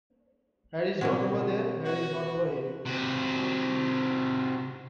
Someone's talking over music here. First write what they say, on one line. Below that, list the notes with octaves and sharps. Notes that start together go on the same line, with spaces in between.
Harry's not over there, Harry's not over here.
B2 D3 G#3 C4 A#4 C#5 F#5
F#4
C3 F#4